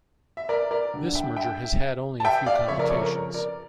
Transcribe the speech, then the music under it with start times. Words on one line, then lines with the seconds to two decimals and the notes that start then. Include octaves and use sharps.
This merger has had only a few complications.
0.37 E5
0.49 A#4 D5
0.71 A#4 D5
0.93 D2 D3 G3
1.15 E5 G5
1.36 E5 G5
2.20 A5
2.25 E5 G5
2.46 D5 F5
2.68 F2 C#3 F3 A3 C#5 E5
2.79 A#4 D5
2.90 A4 C#5
3.02 A#4
3.12 A#4
3.34 A#4 D5